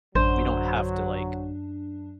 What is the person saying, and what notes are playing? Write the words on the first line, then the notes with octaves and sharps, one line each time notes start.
we don't have to like
A1 F#2 D3 F#3 D4 C5